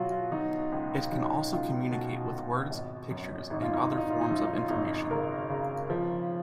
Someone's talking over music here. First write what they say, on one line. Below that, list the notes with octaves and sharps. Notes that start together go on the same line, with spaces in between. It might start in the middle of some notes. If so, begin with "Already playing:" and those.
It can also communicate with words, pictures and other forms of information.
Already playing: B2 F#3 F4 F#4
F4
F#3 D#4
C#2
F#3 D#4
C#2 F4
B2 F#4
B2
G#1
F#2
G#1 D#4
F4
D#4
G#1 F4
D#4
F4
D#4
F#2 F4
D#4
F4
G#1 D#4
C#3 A#4
C#3
F3